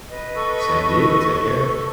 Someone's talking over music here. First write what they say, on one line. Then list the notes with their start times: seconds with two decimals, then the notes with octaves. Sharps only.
Same to you, take care.
0.10 B4 D#5
0.36 A4 C#6